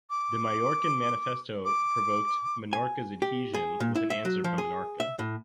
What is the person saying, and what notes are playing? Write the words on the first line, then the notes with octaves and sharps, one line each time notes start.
The Mallorcan manifesto provoked Menorca’s adhesion with an answer from Menorca.
D6
D6
G#5
G4
G#4
A#2
E4
E5
F#3
F3
G#4
E5
A2